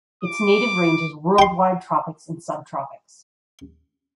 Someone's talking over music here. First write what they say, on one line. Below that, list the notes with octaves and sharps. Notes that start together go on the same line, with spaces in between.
Its native range is worldwide tropics and subtropics.
D6
G5 C6